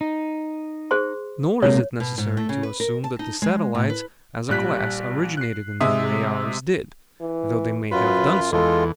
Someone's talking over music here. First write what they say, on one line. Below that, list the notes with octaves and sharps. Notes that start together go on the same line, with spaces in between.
Nor is it necessary to assume that the satellites, as a class, originated in the way ours did; though they may have done so.
D#4
G#4 C5 C6
C3 G#3 A#3 C#5
B2
G#2
A3
C#3
B4
A#4
A5
D#4
G#3
A2
B4
A#1 G3 F#6 B6
F#6 C7
C3 G#3 E5 D#6
E3
F#2 F#3 F4 B4
E2 G#3 F4 A4